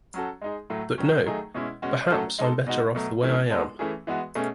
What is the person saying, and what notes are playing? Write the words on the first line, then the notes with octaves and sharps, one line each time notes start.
But no — perhaps I’m better off the way I am.
F#3 C#4 F#4 A4
G#3 D#4 G#4
A2 F#3 A3
D#3 F#3 C#4
D#3 F#3 A3 D#4 G#4
B2 G#3 C#4 E4
B2 G#3 C#4 F#4
F#3 A3 C#4 F#4 A4
G#3 D#4 A4
B2 G#3 D#4 F#4
B2 F#3 A3
E3 A3 C#4 E4
G#3 B3 F#4 A4
E3 A3 C#4 E4 G#4
E3 G#3 B3 F#4
B2 A3 C#4 G#4